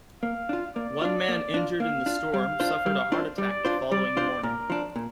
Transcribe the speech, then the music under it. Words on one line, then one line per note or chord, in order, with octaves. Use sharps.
One man injured in the storm suffered a heart attack the following morning.
A#3 F5
D4 F4
A#3 D5
D4 F4
A#3
D4 F4
A#3 F5
D4 F4
G3 F5
D4 F4 C5
G3
D4 F4 C5
G3 D5
D4 F4 C5
G3 D5
D4 F4 C5
A#2 A#4
F3 D4
A#2